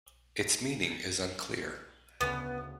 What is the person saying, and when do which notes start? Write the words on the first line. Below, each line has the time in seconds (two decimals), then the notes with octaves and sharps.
Its meaning is unclear.
2.21 D2 C#3 B3